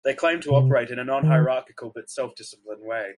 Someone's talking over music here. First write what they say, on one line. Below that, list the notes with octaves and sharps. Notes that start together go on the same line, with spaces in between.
They claim to operate in a "non-hierarchical but self-disciplined way".
C3
D#3